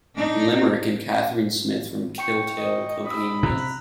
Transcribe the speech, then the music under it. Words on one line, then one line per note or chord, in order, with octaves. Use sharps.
Limerick, and Catherine Smith from Kiltale, Company Meath.
D4 D#4
G5 C#6 C#7
D#5
B5 D#6 E6
C3 C4 A#5 E6 F#6